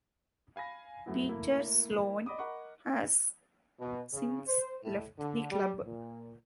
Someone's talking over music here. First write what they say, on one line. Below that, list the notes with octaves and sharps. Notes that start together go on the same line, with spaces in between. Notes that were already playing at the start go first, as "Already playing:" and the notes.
Peter Sloane has since left the club.
F5 G#5 B5 A#6
F#2 A3 B3 E4
A3 A#3 E4
D5 D#5 B5 D6 D#6
A#4 D#5 F#5 B5 C#6 D6
B2
C#3
C5
A2
D3
G3
A#2